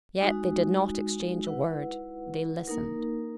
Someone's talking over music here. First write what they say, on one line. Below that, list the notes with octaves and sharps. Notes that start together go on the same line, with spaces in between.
Yet they did not exchange a word; they listened.
G#3 D#4 F#4
E4 B4 F#5
A#3 D#4 A#4